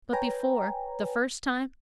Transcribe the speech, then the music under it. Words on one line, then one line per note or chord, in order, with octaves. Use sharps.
But before--the first time?
B4 C#5 G5 G#5 A#5